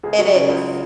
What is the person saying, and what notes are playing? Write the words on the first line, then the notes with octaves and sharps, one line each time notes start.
It is.
C#2 G#4
F#3 F#4
C#3 F#4
C#2 F4